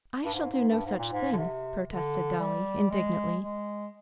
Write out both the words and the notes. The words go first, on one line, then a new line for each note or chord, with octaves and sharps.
"I shall do no such thing," protested Dolly, indignantly.
G2
G#2
G#2
G2
G#2
A#2
G#2
D3
C3
D3
G3
G#3
G#3